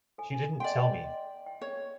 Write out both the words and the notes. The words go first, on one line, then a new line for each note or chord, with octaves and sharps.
She didn't tell me.
A4 G#5
D5 D#5 F#5 G5 C6
G5
C#5